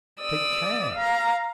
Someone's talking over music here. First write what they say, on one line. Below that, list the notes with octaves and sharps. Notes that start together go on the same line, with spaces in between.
Take care!
D5 D#6 E6
F5 A#5